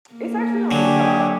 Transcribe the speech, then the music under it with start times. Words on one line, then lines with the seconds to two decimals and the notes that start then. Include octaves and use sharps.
It's actually on Peacock.
0.13 A#3
0.71 D3 F#3 G4 C#5 G#5